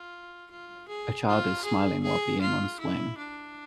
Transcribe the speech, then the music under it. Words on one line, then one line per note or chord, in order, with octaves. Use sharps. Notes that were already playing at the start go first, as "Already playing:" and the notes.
A child is smiling while being on a swing.
Already playing: F4
F4
G#4
F4
G#4
G#4
F4
E4
D4